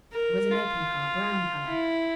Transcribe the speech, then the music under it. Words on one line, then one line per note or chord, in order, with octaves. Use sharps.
It was an open car, brown colour.
A#4
F4
E4